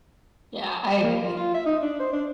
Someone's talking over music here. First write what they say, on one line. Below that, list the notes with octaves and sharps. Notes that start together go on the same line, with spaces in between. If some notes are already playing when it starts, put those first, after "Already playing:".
Yeah, I agree.
A#3
F4
F4
E5
D#4
D4
C5
D4